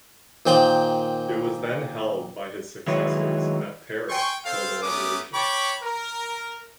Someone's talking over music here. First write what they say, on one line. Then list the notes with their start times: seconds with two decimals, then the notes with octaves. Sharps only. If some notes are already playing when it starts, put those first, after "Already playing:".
It was then held by his successors at Paris till the Revolution.
0.46 A#2 D#3 C5 D5 G5
2.88 D#3 F#3 G#3 E4 B4 C#5
4.09 G5 G#5 C6 C#6
4.45 C4 A4 C5 F5
4.83 A3 B3 C#4 A#4 D6 D#6
5.34 C#5 G5 A5 B5 C#6 D6
5.83 A#4